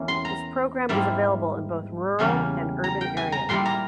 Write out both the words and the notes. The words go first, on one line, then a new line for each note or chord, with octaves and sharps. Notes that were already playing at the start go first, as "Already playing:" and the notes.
This program is available in both rural and urban areas.
Already playing: E2 E3 A#3 C#4 E4
C6
A#5
G#2 G3 A#3 E4
E2 C#3 G3 A#3 C#4
A#5
G5
G#5
A#5
A#2 G3 A#3 E4 C6
A#5